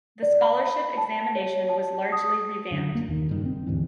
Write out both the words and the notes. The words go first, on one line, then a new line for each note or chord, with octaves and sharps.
The Scholarship examination was largely revamped.
D5
B5
A5
C#5
A5
D#6
F#2 D3
F1 A#3
D#2 D3 D#3
F#1 G2 A#2 D#3
C4
D#2 G#2 D3 E3